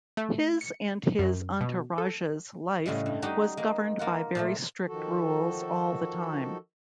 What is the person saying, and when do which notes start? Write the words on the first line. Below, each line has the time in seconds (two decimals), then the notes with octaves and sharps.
His and his entourage's life was governed by very strict rules all the time.
0.17 A3
0.61 C#7
1.19 F#2
1.61 B2
1.98 A4
2.86 A2 C#3 G3 G#3
3.06 G2
3.22 G3 G#3 D#4 F#4 G4
3.57 G#3 A#3
3.99 A#3 F4 F#5
4.35 A#2 F3 A3
4.88 D#3 F3 F#4 A4